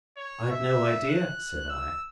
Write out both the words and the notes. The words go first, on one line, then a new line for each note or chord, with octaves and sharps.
"I'd no idea," said I.
C#5
E5
F#6
E6